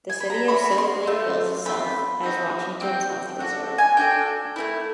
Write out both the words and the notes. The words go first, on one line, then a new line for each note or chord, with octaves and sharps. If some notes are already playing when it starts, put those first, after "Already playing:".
The city of Soap Lake bills itself as "Washington's Health Resort".
G#5
B5
A#5
A3 C#4 F#4 B5
C6
A3 C4 F4
A3 C4 F4 B5
C4 D#4 F#4
C4 D#4 F#4 G5
D4 F#4 A4
G#5
D4 F#4 A4 G5
A3 C4 E4